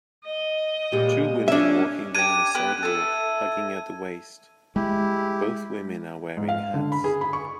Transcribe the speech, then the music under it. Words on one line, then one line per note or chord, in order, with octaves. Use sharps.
Two women walking down a sidewalk hugging at the waist, both women are wearing hats.
D#5
A#2 G3 G#3
C#4 D4 E5
D4 G4 G#6 D#7
B3 G4 F#6
E4 A4
G#3 E4 G4
G#2
F5
D3
B5
G#4
B5
C#6